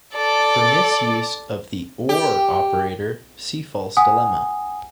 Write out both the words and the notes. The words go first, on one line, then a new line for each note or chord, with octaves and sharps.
For misuse of the "or" operator, see false dilemma.
A4 D5
G4
F#5 G#5 D#6